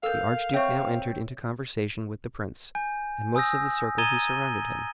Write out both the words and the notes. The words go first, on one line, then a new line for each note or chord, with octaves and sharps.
The archduke now entered into conversation with the prince, and most of the circle who surrounded him.
A4 A#4 F5 E6 G6
C4 C#5 E5 C#6
G#5 G6
G#5 D#6 E6 G6 A#6
A#5 D#6 G#6 A6 D#7 G7